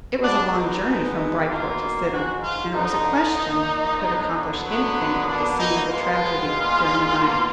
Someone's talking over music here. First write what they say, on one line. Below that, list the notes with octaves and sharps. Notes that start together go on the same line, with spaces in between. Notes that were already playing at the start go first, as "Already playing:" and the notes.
It was a long journey from Bryport to Sidham, and it was a question if he could accomplish anything at the scene of the tragedy during the night.
B2 G#3 B3 D4
D#4
B2 G#3 B3
B2 A#3 F4
G#2 F3 G#3 F#4
F4
D3 F3 B3 D#4
A#2 F3 A#3
D3 F#3 B3
D3 F#3 B3
B2 F#3 A#3 D4
D#4
B2 G#3 B3 F4
A#2 G#3 B3
B2 A#3